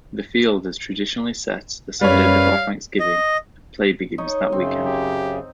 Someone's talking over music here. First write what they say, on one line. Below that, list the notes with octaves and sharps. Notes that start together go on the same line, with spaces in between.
The field is traditionally set the Sunday before Thanksgiving and play begins that weekend.
F#2 G3 B4 C#5 F5
D#5
D#4 C#5 D#5
F#2 C#3 C4
G4